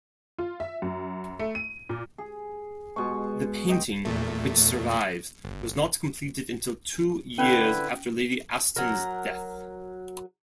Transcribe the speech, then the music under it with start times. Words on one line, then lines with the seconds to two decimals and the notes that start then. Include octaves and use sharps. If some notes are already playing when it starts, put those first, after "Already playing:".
The painting, which survives, was not completed until two years after Lady Aston's death.
0.38 F4
0.60 E5
0.82 F#2
1.39 A3
1.55 D#7
1.89 A#2
2.18 G#4
2.96 B2 G#3 C#6
3.69 D#5 G5
4.05 E2 A#2 A3
5.44 G1
7.38 D3 C#4 E4 B4
8.76 F#3 A#4